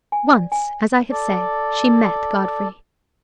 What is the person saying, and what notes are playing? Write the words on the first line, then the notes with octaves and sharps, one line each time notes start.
Once, as I have said, she met Godfrey.
G#5
D5
G#5
A4 D5